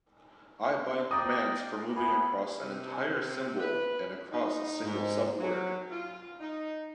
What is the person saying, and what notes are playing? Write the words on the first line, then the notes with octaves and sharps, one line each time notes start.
I bind commands for moving across an entire symbol and across a single subword.
D5 D#5 G5 A#5 D6 D#6
B3 E4 G#4
C3
B4
D#4
G#2
F#3
F4
D#4